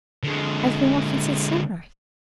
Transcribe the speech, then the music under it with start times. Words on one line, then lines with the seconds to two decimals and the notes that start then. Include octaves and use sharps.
I have been walking since sunrise.
0.23 D3 G#3